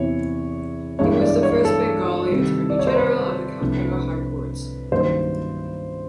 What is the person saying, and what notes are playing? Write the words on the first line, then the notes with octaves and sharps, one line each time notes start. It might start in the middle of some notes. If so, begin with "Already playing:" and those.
He was the first Bengali Attorney General of the Calcutta High Court.
Already playing: E2 C3 E3 C#5
G2 E3 G#3 B3 D4 C#5
D5
C#5
A4
C3 D#3 G3
D5
C#5
C5
B4
C2 C3 F3 A3 D4
G2 D#3 F#3 A#3 C#4 C5